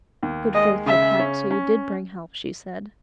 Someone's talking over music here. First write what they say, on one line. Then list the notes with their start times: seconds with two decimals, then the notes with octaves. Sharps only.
"Good faithful Pat, so you did bring help," she said.
0.23 D#2
0.54 G#3 D#5
0.86 C#3 E5
1.20 C#4
1.51 C#4